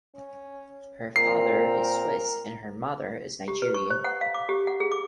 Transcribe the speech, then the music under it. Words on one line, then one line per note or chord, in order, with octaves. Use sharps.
Her father is Swiss and her mother is Nigerian.
C#4
A#2 C4 A#4 C7
G4
B4
C#6
C5
F#5
F5
D6
G4
F#5
G#4
D6